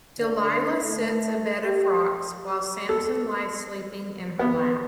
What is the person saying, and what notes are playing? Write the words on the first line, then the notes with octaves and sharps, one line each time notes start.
Delilah sits a bed of rocks while Samson lies sleeping in her lap.
D3
A3
G4
A4
B3